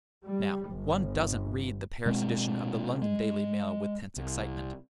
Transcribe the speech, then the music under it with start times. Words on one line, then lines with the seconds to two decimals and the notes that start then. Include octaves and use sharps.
Now one doesn't read the Paris edition of the London Daily Mail with tense excitement.
0.24 G3
0.71 G1
2.06 B2 G#3 B3 C4
3.02 G#3
4.16 C2